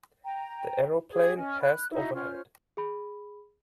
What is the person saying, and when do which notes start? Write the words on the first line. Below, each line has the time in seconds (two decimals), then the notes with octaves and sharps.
The aeroplane passed overhead.
0.24 G5 A#5
1.11 G4 G#4 D#6 G#6
1.36 C#4 D#5 G#5 F6
1.60 B5 F#6
1.91 D#4 E4 F#4 E5
2.14 C#4 F4 C5 F6
2.77 G#4 B5